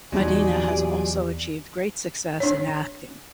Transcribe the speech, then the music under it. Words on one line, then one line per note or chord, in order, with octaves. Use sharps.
Madina has also achieved great success in acting.
E2 A#2 F#3 D#4 G4 G#4 D5
D4 C#5